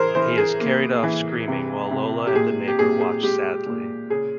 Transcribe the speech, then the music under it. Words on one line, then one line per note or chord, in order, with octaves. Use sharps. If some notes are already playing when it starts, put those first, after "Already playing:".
He is carried off screaming while Lola and the neighbor watch sadly.
Already playing: E3 G#4 A#4 C5
E3 C5
G#4
A#3
E3
C3
C3
G4
A#2 G#4
G4
A#2 G#4
G#4
G#3 G4
A#2
C#3 G#4